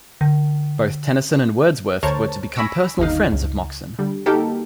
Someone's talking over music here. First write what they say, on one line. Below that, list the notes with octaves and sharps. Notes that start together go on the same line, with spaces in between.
Both Tennyson and Wordsworth were to become personal friends of Moxon.
D3
D2 A#4 C5 C#5 A5
G#5 B5 C#6 E6 A#6 D7
G1 D#2 D#4 F5
C#2
D3 G3
A#3 D#4 F#4 G4 A4 A#4